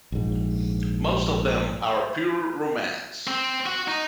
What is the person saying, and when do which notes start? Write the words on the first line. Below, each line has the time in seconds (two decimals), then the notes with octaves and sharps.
Most of them are pure romance.
0.12 A#1 G#2
3.28 C4
3.66 F#4
3.88 D#4